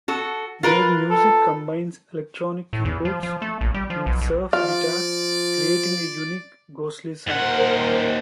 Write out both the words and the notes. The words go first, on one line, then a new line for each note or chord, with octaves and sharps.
Their music combines electronic keyboards and surf guitar, creating a unique ghostly sound.
F#4 A4
F4 A#4 B4
A4
A2
E2
F3
F3
A3
A#1
G3
F3
B1
B1
F3 F4 D5 F5
D#2 A#4 C5 F#5